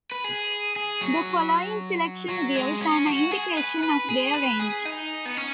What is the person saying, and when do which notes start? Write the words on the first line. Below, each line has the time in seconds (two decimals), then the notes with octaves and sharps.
The following selection gives an indication of their range.
0.12 B4
0.24 G#4
0.76 G#4
1.01 F#3
2.29 F#3
2.55 G#3
2.81 C#4
3.07 F#4
3.31 G#4
3.57 B4
3.83 B4
4.09 G#4
4.34 B4
4.60 G#4
4.85 D#4
5.25 B3
5.37 C#4